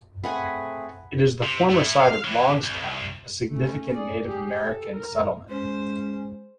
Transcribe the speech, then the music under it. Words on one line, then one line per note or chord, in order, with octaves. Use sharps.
It is the former site of Logstown, a significant Native American settlement.
A3 C4 G#4 B4 F#5 G#5
C3
A3 E4
F5
E3 F#3
C2
A3 C#4
G#4 D5
G4 G#4
A4
A#4
G#3 C#4 C5